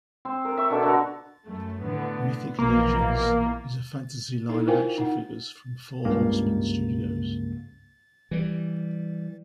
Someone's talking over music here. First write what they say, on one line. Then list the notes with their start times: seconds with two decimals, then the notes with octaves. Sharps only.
Mythic Legions is a fantasy line of action figures from Four Horsemen Studios.
0.25 C4 C5
0.45 A#4
0.57 E5 C#6
0.70 B2 D4 A4 C#6
0.83 D3 F#4 A#4
1.46 F#2 A3
1.82 A2 D3 B3
2.59 A#1 B2 E3 A#3
4.49 D#4 E4 A4
4.67 F4 A#4 C5 F5 G5 G#5
4.98 D#4 F#5
6.05 C#2 G2 C#3 A#3
8.31 E3 G3